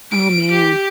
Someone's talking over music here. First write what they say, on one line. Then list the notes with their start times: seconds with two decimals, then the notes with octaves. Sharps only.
Oh, man.
0.11 D7
0.51 G4